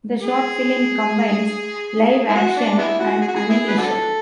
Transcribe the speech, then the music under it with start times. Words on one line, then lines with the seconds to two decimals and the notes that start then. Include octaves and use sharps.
The short film combines live action and animation.
0.21 G#4
2.29 E4
2.35 F#4
2.57 D4
2.78 G#3 B3 E4
2.99 F#4
3.21 G#4
3.28 F#4
3.35 G#4
3.49 E4 G#4
3.68 B4
3.78 D4 F#4 A4